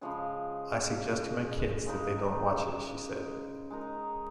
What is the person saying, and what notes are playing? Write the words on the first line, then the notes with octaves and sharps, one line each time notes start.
I suggest to my kids that they don't watch it, she said.
C#3 F3 G#3 C#4
C#3 G#3 D#4 A#4
G#3 D#4 A#4